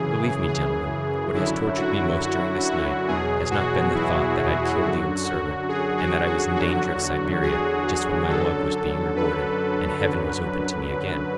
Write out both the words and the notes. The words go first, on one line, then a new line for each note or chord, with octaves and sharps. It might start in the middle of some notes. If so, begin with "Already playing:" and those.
Believe me, gentlemen, what has tortured me most during this night has not been the thought that I'd killed the old servant, and that I was in danger of Siberia just when my love was being rewarded, and Heaven was open to me again.
Already playing: F#2 C#3 E3 G#4
G#4
F#2 D3 F#3 E4
F#4
F#4
F#4
E2 B2 F#3 G#4
F#4
E4
F#2 D3 F#3 F#4
F#4
G#4
F#4
F#4
E2 D3 F#3 F#4
G#4
F#2 D3 F#3 A4
B4
F#2 D3 F#3